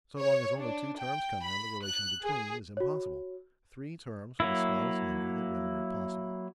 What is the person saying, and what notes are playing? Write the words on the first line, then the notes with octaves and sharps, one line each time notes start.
So long as only two terms come in, the relation 'between' is impossible: three terms are the smallest number that render it possible.
C#5
D4
G5
B5
F#6
G#4
F#4 C#5
F#3 A#3 E4